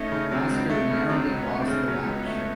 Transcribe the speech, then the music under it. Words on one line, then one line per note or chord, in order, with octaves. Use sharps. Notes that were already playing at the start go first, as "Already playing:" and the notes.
Lasker narrowly lost the match.
Already playing: A3 C#4 D#4
C#3
F#3 C4 D4
C#2
A3 D4
C#4
C#3 C4 D4
F#3 C4 D4
C#2
B3 C#4
A3
C4 D4
C#3
F#3 B3 C#4
C#2
A3